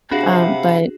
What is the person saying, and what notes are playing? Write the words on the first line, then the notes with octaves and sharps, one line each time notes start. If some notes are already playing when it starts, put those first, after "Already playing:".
Um, but,
C3 D4 F#4 G#4 F5 F#5 B5